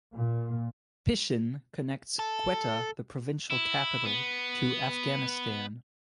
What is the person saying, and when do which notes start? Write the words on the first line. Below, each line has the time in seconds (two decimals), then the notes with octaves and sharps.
Pishin connects Quetta, the provincial capital, to Afghanistan.
0.13 A#2
2.19 A4
3.50 E4
4.05 B3